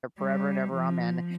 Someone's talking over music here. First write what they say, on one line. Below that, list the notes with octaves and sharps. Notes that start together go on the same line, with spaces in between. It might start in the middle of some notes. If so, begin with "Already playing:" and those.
forever and ever, amen-
G3
F3